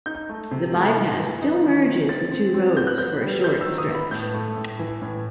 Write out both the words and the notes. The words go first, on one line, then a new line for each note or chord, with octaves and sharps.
The bypass still merges the two roads for a short stretch.
D#4 G6
A3
C3
A3
D#4
E3
D#4
D#3
C4
C4 A6
C4
C4
B3 G6
F#6
B3 G6
G3
B3 G6
E6
D#3
D#6
B3
B5
A2 G6
A3
A2
E3
A2